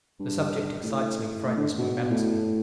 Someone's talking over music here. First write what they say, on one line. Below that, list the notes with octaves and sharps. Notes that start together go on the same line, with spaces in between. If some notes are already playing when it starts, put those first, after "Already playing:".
The subject excites me, frightens me, maddens me.
G2
A2
A2
D3
B2
A2